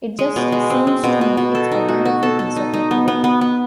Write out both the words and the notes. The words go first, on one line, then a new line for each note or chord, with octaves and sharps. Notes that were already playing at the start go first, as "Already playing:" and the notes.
It just seems to me it's a wonderful piece of material.
G#3
B2
G#3
C4
G#3
B2
B2
B2
A4
D#4
F#4
F#4
A4
A4
D#4
D#4
B3
B3
B3
B3